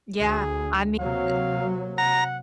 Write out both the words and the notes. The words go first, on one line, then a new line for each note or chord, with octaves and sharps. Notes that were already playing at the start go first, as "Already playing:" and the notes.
Yeah, I mean uh
D2 G#4
C3 F#3 A#3 F5
F#5 A#5